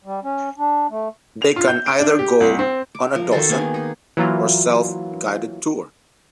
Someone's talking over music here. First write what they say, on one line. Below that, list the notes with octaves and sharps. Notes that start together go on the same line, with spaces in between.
They can either go on a docent or self guided tour.
G3
C#4
D4
A3
F7
F4
G6
D7
D4
G4
C2
C4
D6
F3 A#4
D#3 F#4 A4 C5
A#3 B3 G#4 G#5
D#4 G#4
E3 F#3 A#3 F4